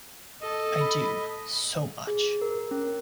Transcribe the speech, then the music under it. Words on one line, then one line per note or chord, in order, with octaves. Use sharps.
I do, so much.
A4 D#5
B5
G#4
A#4
C#4